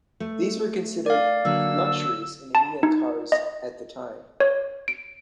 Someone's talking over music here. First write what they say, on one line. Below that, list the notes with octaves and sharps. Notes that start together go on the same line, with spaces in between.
These were considered luxuries in Indian cars at the time.
A3
D5 F5
D3 F#3 A#3 E6
A5
D#4
D#5
C#5
D7